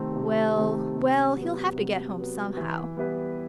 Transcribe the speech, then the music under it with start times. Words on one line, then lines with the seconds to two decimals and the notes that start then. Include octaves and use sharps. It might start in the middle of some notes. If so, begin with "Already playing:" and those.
Well, well, he'll have to get home somehow.
Already playing: C3 D#3 A3 C4
0.16 C3
0.56 D#3 A3 C4
0.97 C3
1.36 F#3 B3
1.76 C3
2.17 F#3 B3
2.57 E3
2.97 G3 B3 E4 B4